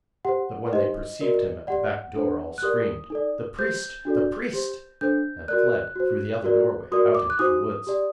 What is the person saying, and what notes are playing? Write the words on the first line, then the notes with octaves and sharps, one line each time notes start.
But when they perceived him at the back-door all screamed, "The priest! the priest!"--and fled, through the other doorway, out into the woods.
G4 C5 F#5
D#4 G4 C5 D#5
F#4 A#4 D5
G4 D5 F#5
D4 A4 C5
F#6
G4 A#4 D5 D#6
D#4 A4 D5
G4 C5 G6
D4 F#4 A4 D5
G4 C5
D4 A4 C5 G6
F#4 A#4 D5 F#6
F#4 C5
F#4 A#4 D5
F#4 A#4 D5 D#6
D6
F#6
D#4 F#4 C5 D#6
G4 D5